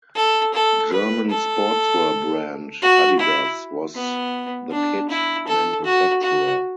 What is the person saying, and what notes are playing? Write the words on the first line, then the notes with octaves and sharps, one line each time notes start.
German sportswear brand Adidas was the kit manufacturer.
A4
A4
B4
A4
F#4
E4
B3
D4
E4
A4
F#4
F#4